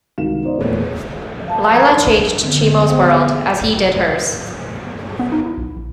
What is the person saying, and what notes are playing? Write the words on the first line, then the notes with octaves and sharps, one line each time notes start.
Lila changed Chimo's world, as he did hers.
C2 D#3 G#3 F#4 F5 E7
B3 D#4 C5 D5 D#5
E2 A#2 A3 G#4 B4 C#5
E5 F5 A5
F3 A#4 A#5 B5 D#6 G#6
D4 D#4 C6
D3 B3 C4
B3 G#4 C5 F5 G5
B3
D#4
E4
B1
A#1